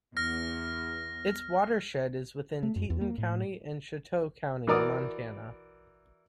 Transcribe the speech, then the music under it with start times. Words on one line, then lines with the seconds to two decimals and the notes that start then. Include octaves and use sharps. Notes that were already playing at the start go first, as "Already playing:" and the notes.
Its watershed is within Teton County and Chouteau County, Montana.
0.17 E2 F6 A#6
2.63 A3
2.76 F#2
2.90 E2
3.01 A#3
3.18 A2
4.67 E3 F#4 A#4 D5 D6 D#6